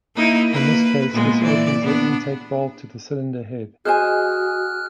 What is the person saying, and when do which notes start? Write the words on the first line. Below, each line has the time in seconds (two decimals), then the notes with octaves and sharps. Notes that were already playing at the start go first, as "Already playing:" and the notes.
In this case this opens the intake valve to the cylinder head.
0.15 A#3 D#4 E4
0.50 A#3 B4
1.13 A#2 G#3 B3
1.44 E3 D5
1.82 B3 D4
3.85 F#4 G#4 C5 D#5 G#5 F6 F#6